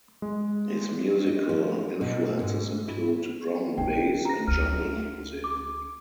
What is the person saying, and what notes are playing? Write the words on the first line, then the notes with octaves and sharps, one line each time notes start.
His musical influences include Drum and Bass and Jungle music.
G#3
D#5
F3
B2
G#2
E4
D3 D4 D#4 G5
A#5 A#6
D2 C4 F6 D#7
D6